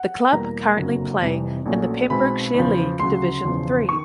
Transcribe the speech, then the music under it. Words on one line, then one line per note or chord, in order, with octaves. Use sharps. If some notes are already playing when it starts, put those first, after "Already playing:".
The club currently play in the Pembrokeshire League Division Three.
Already playing: F#5
E2 B2 G3 A#3 A#5
F#1 F2 D3 F#3 A#3
F1 F2 C3 E3 G3
A#1 A#2 F#3 A3 C#4
B1 B2 G#3 C4 B5
E2 C#3 F3
D2 C#3 F#3 C6
E1 E2 C#3 F3
D#3 C#6